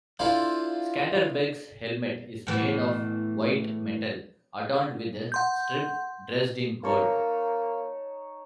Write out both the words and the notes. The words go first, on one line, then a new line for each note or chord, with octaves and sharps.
Skanderbeg's helmet is made of white metal, adorned with a strip dressed in gold.
D4 E4 F4 A4 C5
A2 E3 B3
F#5 C6 G6
A#3 D#4 C#5 A5